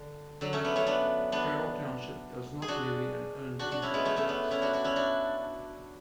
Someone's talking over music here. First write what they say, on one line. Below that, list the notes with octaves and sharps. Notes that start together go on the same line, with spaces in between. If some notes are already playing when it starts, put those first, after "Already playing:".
Carroll Township does not levy an earned income tax.
Already playing: D3
D3 F#3
A3 C#4
B3 D4
A3 C#4
B3 D4
B3 D4
G#4
D4 F#4
D4 F#4
D4 F#4
C#4 E4
G#3 B3
A3 C#4
A3 C#4
B3 D4
C#4 E4
D4 F#4
D4 F#4
C#4 E4
D4 F#4